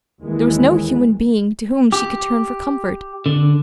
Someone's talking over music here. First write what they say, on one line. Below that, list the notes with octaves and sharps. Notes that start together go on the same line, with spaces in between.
There was no human being to whom she could turn for comfort.
D#2 E3 G#3 A#3
G4
D3